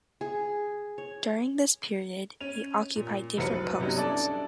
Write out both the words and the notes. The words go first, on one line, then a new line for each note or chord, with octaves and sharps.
During this period he occupied different posts.
G#4
C#5
C#4 D#7 F7
A#2
F1 C2 F#3 B4 C#7
C3 F#3 G3 B3 C#4 D#4
C#4 D4 E4 A4 D5